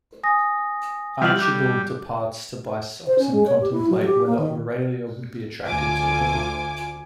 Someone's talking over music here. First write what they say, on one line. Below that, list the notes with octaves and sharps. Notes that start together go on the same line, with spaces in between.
Archibald departs to buy socks and contemplate whether Aurelia would be attracted to him.
G#5 D#6 A#6
E3 G3 F4 G4 F#7
G3 D6 F#6 G6
C5
C#4
G#3
C#5
G4
E4
F#3
G4
A#3
D#3
D2 F4 G#5 D6